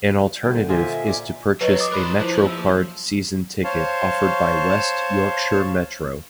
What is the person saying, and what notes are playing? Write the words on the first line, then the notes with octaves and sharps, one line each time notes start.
An alternative is to purchase a 'MetroCard' season ticket offered by West Yorkshire Metro.
C2 D3 G5
A#2 F4 C5 D#5 E5 G#5
D5 G#5
F#3 B4 C#5 D#5
D6 D#6 A6
A#4 C5 B5 F#6
F3 E4 C5
A#3 E6
C5 C#5 F5 A5